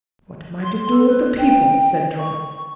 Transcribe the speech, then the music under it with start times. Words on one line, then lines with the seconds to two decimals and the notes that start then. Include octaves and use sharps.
"What am I to do with the people?" said Dron.
0.63 C6
0.89 A4
1.06 B4
1.37 G5
2.16 C#6